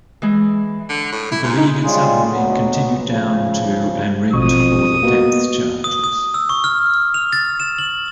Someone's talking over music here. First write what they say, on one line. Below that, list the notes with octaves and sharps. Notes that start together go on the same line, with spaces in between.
The beleaguered submarine continued down to and rigged for depth charges.
E3 G#3
D3
A2
E4
G#2
D#4
C#3 G3 G#3 C#4 F4 G#4
D2 B2 F#3 B3
C#3 F3
A1 F2 B2 C#6 D#6
B2 A#3 F#4
D#6
D#6
E6
C#6
F6
F7
A6
E7
F#7